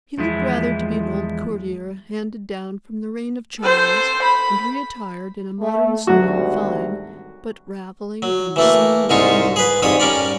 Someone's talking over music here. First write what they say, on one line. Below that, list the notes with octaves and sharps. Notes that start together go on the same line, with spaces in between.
He looked rather to be an old courtier handed down from the reign of Charles, and re-attired in a modern suit of fine, but raveling and seam-worn, broadcloth.
E2 F3 G#3 E4
A4 C5
B5
A3
G#1 D2 F#3 G3 F#4
F#3
E3 A3 A#3
C2 G#2 D#4 F4 C#6
G#4 B4
F2 G#2 G3 C#5 D#6
G3 C#4 A#4 D5